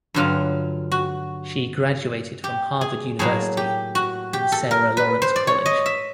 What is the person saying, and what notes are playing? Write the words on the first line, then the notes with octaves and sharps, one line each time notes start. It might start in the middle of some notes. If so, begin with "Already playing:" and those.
She graduated from Harvard University and Sarah Lawrence College.
G2 D3 F#3 F4
F#4
G4
G#4
A2 F#3 A#3 G#4
G4
F#4
G4
A4
A#4
B4
C5
D5
C#5
D#5
E5